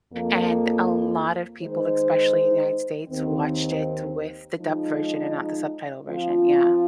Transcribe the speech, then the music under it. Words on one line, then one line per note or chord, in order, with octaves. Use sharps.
and a lot of people, especially in the United States, watched it with the dub version and not the subtitle version, yeah.
F2 F3 A#3
D#3 G#3 D#4 C5
D#2 D#3 C4
F3 G#3 D#4
F3 C4 F4